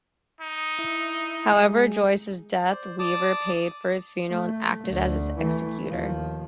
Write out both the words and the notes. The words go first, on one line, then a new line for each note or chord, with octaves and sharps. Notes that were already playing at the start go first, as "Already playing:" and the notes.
However, on Joyce's death, Weaver paid for his funeral and acted as his executor.
D#4
E4
G#3
C5 D5
D5 A5 D6 D#6
A3
D2
E3 A3
D#2 F3